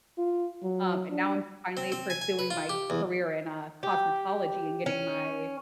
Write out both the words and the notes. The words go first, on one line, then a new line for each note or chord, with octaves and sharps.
Um, and now I'm finally pursuing my career in, uh, cosmetology and getting my
F4
F#3
D4
C4
C4
G#5
G#5
B4
F4
G4
E2
G4
C#4